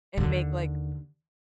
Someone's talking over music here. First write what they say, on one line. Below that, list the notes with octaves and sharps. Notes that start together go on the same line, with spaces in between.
and make, like,
D#2 D3